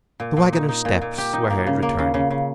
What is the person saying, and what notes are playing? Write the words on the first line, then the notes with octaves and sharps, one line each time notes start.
The waggoner's steps were heard returning.
A#2
A#2
D#4
D#4
A#2
A#2
G4
D#4
A#3
C#3
A#3
C#3
C#3
C#3